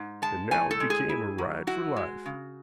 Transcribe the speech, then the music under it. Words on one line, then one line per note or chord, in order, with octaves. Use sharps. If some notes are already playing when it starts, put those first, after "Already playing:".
And now it became a ride for life.
Already playing: G#2
G#3 A5
A2 G#5
A4
G#3
G#4
E4
F#3
E4 F#4
G#3
C#3